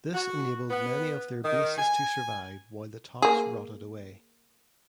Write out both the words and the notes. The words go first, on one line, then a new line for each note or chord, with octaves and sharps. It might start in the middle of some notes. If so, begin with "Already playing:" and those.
This enabled many of their bases to survive while the tops rotted away.
F#4
B3
D#3
G#5
A#3 G#4